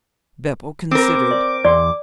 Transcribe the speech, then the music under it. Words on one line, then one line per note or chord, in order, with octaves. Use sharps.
Beppo considered.
C4 A#4 D6
D5
E2 D5 C6